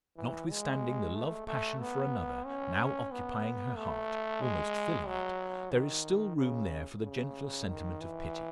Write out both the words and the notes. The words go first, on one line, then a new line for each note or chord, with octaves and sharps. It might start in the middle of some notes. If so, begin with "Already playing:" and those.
Notwithstanding the love passion for another now occupying her heart--almost filling it--there is still room there for the gentler sentiment of pity.
E3
G#3
A3
A3
B3
C#4
B3
A3
G#3
F#3
D#3
C#3
C#3
D#3
E3